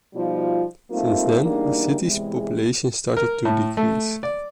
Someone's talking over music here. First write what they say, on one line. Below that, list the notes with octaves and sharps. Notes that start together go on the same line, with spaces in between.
Since then, the city’s population started to decrease.
B2 F3 G3 D#4 F4
G3 A3 A#3 C4 D#4 F4
E2 G3 A#3 D4 D#4
E2 C3 E3 G#3
A#4
A2
A3
D5